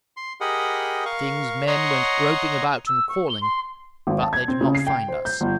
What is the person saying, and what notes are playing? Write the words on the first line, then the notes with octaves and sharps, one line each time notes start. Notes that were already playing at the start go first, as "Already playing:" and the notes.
The king's men went groping about and calling, but they did not find us.
C6
G4 G#4 A#4 D#5 F#5 B5
A#4 F5 C#6
C#5 D#5 F#5 A#5 C6 C#6
E6
C#6
G7
C6
G#1
A5
G#6
C4
C#3
C7
G5
C5
G6
G1